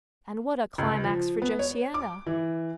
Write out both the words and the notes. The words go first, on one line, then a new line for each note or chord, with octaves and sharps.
And what a climax for Josiana!
C#2
F3
B3
C#5
D6
E3